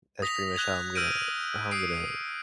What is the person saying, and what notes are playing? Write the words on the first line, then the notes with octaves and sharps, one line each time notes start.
that's pretty much how I'm gonna how I'm gonna
D#6 A#6 B6 F7
F#6 G#6 F7
E6 F6 G6 A#6 D7 D#7
D#6 C7 D7